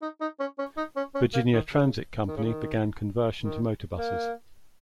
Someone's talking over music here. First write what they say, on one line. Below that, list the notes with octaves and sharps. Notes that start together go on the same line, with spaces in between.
Virginia Transit Company began conversion to motor buses.
D#4
D#4
C#4
C#4
D#4
C#4
C#4
A#3
D#3
C#3
D#3
C#3
D#3
D#3
A#3